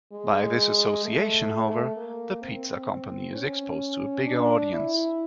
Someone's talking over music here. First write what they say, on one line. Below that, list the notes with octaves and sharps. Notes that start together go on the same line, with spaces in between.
By this association, however, the pizza company is exposed to a bigger audience.
G#3
A3
A#3
C4
C#4
D4
E4